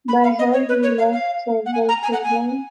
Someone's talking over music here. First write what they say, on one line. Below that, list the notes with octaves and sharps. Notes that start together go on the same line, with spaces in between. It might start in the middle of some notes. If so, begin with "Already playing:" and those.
By her he left several children.
B5
F5
D#5
C#5
B4
C#5
F5
F5
F#5
G#5
A#5
G#5
F#5
G#5